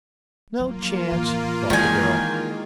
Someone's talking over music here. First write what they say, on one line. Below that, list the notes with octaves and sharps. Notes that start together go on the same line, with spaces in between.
"No chance," thought the girl.
F#3 A#3 F4
A2 E3
D#3 E3 G#3 E4 G#5